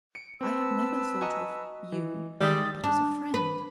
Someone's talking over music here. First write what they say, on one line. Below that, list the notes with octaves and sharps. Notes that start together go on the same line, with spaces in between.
'I have never thought of--you, but as a friend.
C#7 D7
C4 B4 A5 E6
F#4 D#5 G#5 A#5
E3
D#3 G3 G#3 D5 E5 G5 D6 D#6
D4
B4